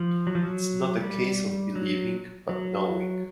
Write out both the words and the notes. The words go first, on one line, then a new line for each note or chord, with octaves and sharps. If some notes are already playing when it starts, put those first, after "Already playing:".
It's not a case of believing, but knowing.
Already playing: F3
F#3
F3
F#3
G3
F#3
F#3